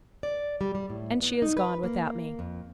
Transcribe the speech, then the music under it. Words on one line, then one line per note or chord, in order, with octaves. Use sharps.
And she is gone without me.
D5
G3
G3
A2
B3
D#4
B4
A#3
F2